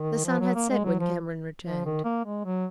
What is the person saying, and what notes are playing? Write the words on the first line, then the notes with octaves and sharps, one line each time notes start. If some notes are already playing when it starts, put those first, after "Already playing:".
The sun had set when Cameron returned.
Already playing: D#3
F3
F#3
A#3
G#3
F#3
F3
F3
D#3
A#3
G#3
F#3